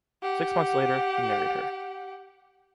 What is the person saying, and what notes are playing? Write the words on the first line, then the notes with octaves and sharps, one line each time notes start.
Six months later, he married her.
G4 F#5